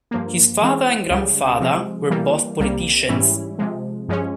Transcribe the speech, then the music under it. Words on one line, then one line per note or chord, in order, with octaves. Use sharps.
His father and grandfather were both politicians.
G2 F3 A#3
E3 G#3 C4
C#2 C#3 G3
C3 F3 G#3
E3 G3 A#3
C2 C3 G3 A#3
G#2 E3 G3 C#4 E4
C3 F3 G#3
G2 F3 G#3 C#4